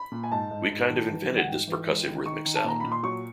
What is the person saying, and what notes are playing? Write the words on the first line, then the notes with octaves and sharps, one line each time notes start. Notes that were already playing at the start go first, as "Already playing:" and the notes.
We kind of invented this percussive rhythmic sound.
Already playing: B5
A#2
G#5
G#2 A5
G#2
G#2
D#3
E3
G3
F#5
G#2 G5
E3
G#3
D#3
D#3 C#6
D#3
A5
A#2 A#5
A#2 B5
C6
F#3 C#6